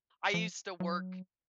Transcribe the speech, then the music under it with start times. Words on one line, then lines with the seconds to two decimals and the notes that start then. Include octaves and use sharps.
I used to work
0.34 F3
0.80 F#3